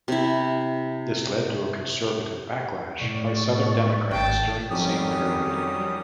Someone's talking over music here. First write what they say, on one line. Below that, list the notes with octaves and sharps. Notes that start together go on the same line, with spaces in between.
This led to a conservative backlash by southern Democrats during the same period.
C3 E4
A2 D5 C#6
G#1 G5 A5
F2 D#3 F#3 G3 C#4 G4 D#6